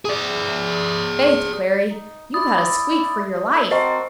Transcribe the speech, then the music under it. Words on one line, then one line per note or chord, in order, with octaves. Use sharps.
Faith, Clary, you've had a squeak for your life!
G#4 D5
D#4
E4 D5 D#6
A4
C4 F#4 A#4 C5 D#5